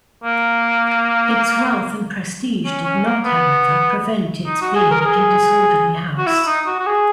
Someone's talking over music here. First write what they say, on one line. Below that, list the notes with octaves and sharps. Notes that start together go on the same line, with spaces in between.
Its wealth and prestige did not, however, prevent its being a disorderly house.
A#3
C#4
C#4
A#3
B3
D#4
F#4
G#4
A#4
A#4
G#4
F#4
E4
D#4
F#4
F#4
G#4